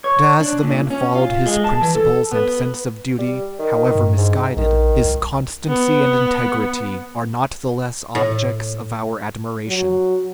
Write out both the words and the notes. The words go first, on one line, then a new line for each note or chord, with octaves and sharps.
But as the man followed his principles and sense of duty, however misguided, his constancy and integrity are not the less objects of our admiration.
C#5
D4
A#2
C#4
F4
G#3
A5
E3
A4
B3
G3
D#3
G2
G#2
A#1 D#3
C2
B3
A2
F#3